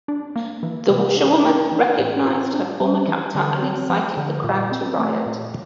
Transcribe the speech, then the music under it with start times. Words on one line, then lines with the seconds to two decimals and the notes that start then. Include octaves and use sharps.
The washerwoman recognized her former captor and incited the crowd to riot.
0.08 D4
0.36 A#3
0.63 E3
0.90 C3
1.17 D4
1.44 A#3
1.72 E3
1.99 A2
2.26 F4
2.53 D4
2.81 G3
3.08 E3
3.35 D3
3.62 C4
3.90 F3
4.17 D3
4.44 A#2
4.72 C4
4.98 A3
5.26 A#2